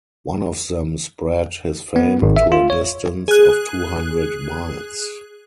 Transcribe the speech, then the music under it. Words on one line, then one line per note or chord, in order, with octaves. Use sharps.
One of them spread his fame to a distance of two hundred miles.
B3
G#1
E5
F4
C#5
G#4 F#6